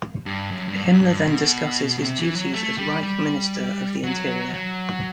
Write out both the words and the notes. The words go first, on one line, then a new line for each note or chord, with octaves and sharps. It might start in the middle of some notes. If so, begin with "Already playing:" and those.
Himmler then discusses his duties as Reich minister of the interior.
G2
F#2
G2
F#2
G2
B2
B2
C3
E3
F#3
A3
G3
G3
F#3
F#3